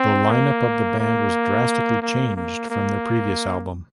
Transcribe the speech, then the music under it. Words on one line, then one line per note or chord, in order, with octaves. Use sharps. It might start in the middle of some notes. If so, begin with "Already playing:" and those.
The line-up of the band was drastically changed from their previous album.
Already playing: C4
A#3
A#3
A#3
A#3
A#3